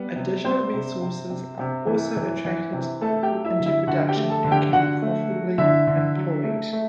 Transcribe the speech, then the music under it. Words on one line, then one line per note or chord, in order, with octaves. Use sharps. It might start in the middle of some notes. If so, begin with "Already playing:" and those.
Additional resources are also attracted into production and can be profitably employed.
Already playing: G3 B3
C3
G3 C4 C5
C3
C3
C3
C3
E3
E3
E3
C3
A3 A4 A5
G4 G5
F#3
E4 E5
D3
E4 E5
D3 F#4 F#5
G4 G5
A3
A4 A5
D3
G4 G5
D3 F#4 F#5
A3
F#3
D3 E4 E5
D3
F#3
A3
A3